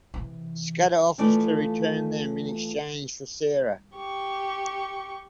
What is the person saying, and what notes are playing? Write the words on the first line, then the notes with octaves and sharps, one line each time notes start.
Scudder offers to return them in exchange for Sarah.
C3 E3
E3 F3 A3 D5
G4 C#6